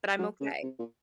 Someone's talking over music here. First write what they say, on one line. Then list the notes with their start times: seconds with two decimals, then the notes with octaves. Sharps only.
but I'm okay."
0.19 F#3
0.41 C#3
0.63 C3
0.79 A#2